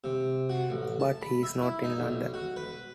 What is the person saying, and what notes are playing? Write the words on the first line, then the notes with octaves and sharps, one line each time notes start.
But he's not in London?
C3
F#4
A1
A5
B5
E5
E4
D#4
B1
F#4
B4